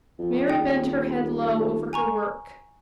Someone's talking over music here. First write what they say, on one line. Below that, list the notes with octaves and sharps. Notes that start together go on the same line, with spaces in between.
Mary bent her head low over her work.
F2
D#1 G#4 D5 G5
G#5 A#5 C#6